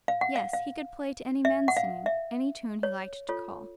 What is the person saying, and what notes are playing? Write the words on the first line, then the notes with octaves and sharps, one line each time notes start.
Yes, he could play to any man's singing--any tune he liked to call.
F5
F#5
F5
F5
E5
F#5
F5
E5
C#5
F4 A4 C#5